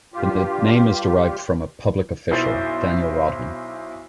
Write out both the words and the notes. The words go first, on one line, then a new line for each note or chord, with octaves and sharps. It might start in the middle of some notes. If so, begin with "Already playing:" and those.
The name is derived from a public official, Daniel Rodman.
G2 F4 G4
B1 E4 C5 A6